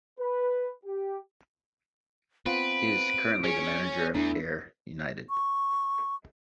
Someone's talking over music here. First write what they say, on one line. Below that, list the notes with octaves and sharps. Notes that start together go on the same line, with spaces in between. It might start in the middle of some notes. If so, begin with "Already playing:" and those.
He is currently the manager of Ayr United.
B4
G4
B3 C4 F4 B4 F5 D7
C#4 G#4 C#5
E2 A3 D4 E4
C#6